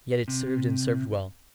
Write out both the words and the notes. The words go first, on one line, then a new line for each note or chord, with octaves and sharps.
Yet it served and served well.
C3